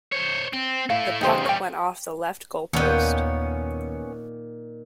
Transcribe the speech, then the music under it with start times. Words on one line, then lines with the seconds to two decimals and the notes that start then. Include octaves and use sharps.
The puck went off the left goal post.
0.13 C5 C#5
0.53 C4
0.90 A3 E4 F5
1.21 E2 C#3 D#4 G4 C5
1.45 E2 G3 C#5 G5
2.73 D#2 A#2 D#3 B3 C#4 G5